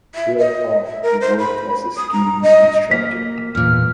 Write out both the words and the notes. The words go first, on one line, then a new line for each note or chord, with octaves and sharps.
Thereupon, he worked as a ski instructor.
E5
D#5
E5
A#4
C5
B5
D#6
A#5
D#5
A#3 B6
E2 A#2 F6